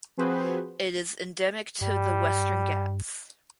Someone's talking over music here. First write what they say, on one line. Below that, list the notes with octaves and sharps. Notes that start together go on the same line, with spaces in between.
It is endemic to the Western Ghats.
F3 C4 F#4 G#4 B4 C5
G2 G3